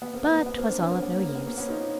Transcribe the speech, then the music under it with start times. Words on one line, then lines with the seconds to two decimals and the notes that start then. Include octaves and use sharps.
But 'twas all of no use.
0.02 B3
0.14 A#3 C4
0.25 B3
0.36 B3
0.46 B3
0.58 A#3 C4
0.69 C4 D4
0.79 B3 C#4
0.91 A#3 C4
1.02 B3
1.18 A#3
1.29 A#3
1.36 B3
1.47 A#3 C4
1.58 B3 C#4
1.68 D#4 F4